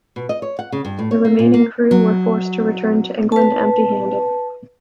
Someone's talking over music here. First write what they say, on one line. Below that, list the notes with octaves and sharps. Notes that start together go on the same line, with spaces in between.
The remaining crew were forced to return to England empty-handed.
B2
D#5
C#5
F#5
C#3
G2
A2
C#5
A#3
A#2
A#3
F#3
B4 A5